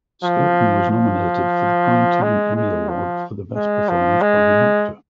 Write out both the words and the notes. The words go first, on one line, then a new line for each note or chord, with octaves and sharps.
Skelton was nominated for the Primetime Emmy Award for best performance by an actor.
F3
F3
G#3
G#3
F3
G#3
F3
G#3